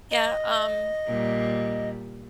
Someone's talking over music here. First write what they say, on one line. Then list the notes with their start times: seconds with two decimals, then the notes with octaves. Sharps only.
Yeah, um
0.11 D#5
1.07 A#2 G3